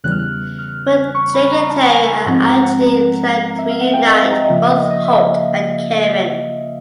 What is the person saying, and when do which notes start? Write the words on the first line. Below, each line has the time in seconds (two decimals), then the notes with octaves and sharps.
But Jake and Terry are actually planning to reunite both Holt and Kevin.
0.04 E2 C#3 E3 G3 F#6
0.11 F6
0.19 F#6
0.59 F6
1.15 C#6
1.34 B5
1.52 A#5
1.70 A5
1.89 G#5
2.07 G#5
2.26 G#2 F3 G#3 C4 F#5
2.45 A#5
2.64 F#5
3.59 E5
3.70 F5
3.81 F#5
3.93 G5
4.07 D#5
4.12 E5
4.31 A#5
4.44 D#5
4.48 C#3 F3 A#3 E5
4.63 E5
4.77 D#5
4.91 D#5
5.05 E5
5.12 F5
5.19 E5